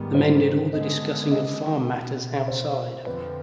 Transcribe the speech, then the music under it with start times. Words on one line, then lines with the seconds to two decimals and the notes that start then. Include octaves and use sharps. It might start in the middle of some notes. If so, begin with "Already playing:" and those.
The men did all the discussing of farm matters outside.
Already playing: G#2 D#3 G3 B3
0.15 C5
0.73 D3 G#3 B3 D#5
1.31 D#5
1.89 B2 B3
2.48 C5
3.06 F2 D3 F3 C4 B4